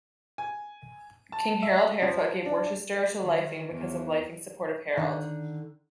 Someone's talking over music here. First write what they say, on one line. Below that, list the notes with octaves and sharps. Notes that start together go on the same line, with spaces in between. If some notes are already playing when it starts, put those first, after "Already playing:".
King Harold Harefoot gave Worcester to Lyfing because of Lyfing's support of Harold.
G#5
A5
E5
F3
D4
D#3
E2
D3 D#3